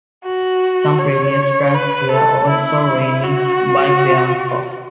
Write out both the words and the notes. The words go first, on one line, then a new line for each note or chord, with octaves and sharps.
Some previous tracks were also remixed by Bianco.
F#4
C#5
B4
A4
E4
F#4